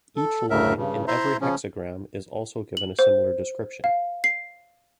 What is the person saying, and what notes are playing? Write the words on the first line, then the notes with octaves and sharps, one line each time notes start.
Each line in every hexagram is also given a similar description.
A4
D2 A2 C#3 A#4 E5
G2 C#3
E4 C5 E5 A#5 C6
C#3 F3 C#4
F#7
C5
F5
C7